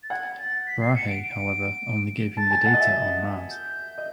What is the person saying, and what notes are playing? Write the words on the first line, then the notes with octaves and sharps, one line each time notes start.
Brahe, however, only gave him the data on Mars.
A6
F#5 G#6
A6
B6
C7
C#7
D7
D7
A5 A6
G#5
F#5
D#5
E5
G6
D#5